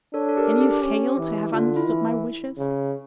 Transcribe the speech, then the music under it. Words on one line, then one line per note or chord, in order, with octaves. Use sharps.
Can you fail to have understood my wishes?
D4 A4 C#5
A4
G4 A#4
G4
C#4
E3
D3 F4
E4
E3
C#3